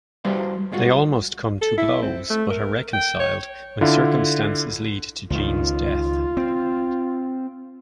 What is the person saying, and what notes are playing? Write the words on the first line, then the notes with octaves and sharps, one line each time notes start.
They almost come to blows but are reconciled when circumstances lead to Jean's death.
G3 F#4 B4 C5 E5 F5
G#2 G#3 F4 F#4
A4
E4
C4
A3
A#4
G5
C#5
D3 E4 F4
C#2 D#3 F4
C4